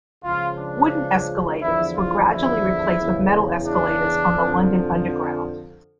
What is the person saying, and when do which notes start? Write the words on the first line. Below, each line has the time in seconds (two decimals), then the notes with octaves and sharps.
Wooden escalators were gradually replaced with metal escalators on the London Underground.
0.24 C#2 C#3 F3 F4
0.58 D4
1.60 E2 D3 F3 E4
1.95 F4
2.29 E4
2.97 E2 C#3 E3
3.66 D4
4.35 F2 D3 F3